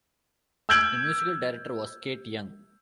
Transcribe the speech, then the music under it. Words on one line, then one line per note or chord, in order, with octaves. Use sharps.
The Musical Director was Kate Young.
E6 F6 G6 G#6 D7 F#7